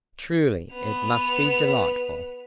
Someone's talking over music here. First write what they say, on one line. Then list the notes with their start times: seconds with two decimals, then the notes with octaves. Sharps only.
Truly it must be delightful.
0.73 B3 F7